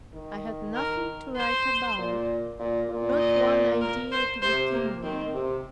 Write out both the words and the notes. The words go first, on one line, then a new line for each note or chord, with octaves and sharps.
I had nothing to write about, not one idea to begin with.
D#3
A#4
C5
A#2
A#2
A#2
D#5
A#4
C5
C3 C5
A#3
D#3 C4
C3